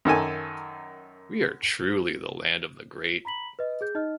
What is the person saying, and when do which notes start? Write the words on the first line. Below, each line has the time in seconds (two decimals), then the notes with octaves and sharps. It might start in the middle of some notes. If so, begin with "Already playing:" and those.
We are truly the land of the great.
0.05 F#2 D#3 A4 G#5
3.25 A#5 B5 B6 F#7
3.59 B4 D#5
3.81 G#4 G6
3.95 D#4 D#5 F6